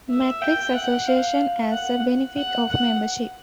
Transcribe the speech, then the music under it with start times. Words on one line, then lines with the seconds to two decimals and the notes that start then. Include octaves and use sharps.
Metric Association as a benefit of membership.
0.10 E5
0.42 G5
0.75 F#5
1.07 F5
1.72 F#5
2.37 F#5
2.69 F#5